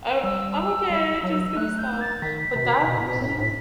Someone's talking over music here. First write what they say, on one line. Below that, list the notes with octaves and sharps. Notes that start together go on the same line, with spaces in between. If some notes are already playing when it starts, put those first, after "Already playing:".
"I I'm okay, just gonna stop." But that really,
G3 E6
G3
F#3
E6
A3 F#6
G6
A6
D#3 B6
C3
B2
C3
B2
A2
B2
A2
A2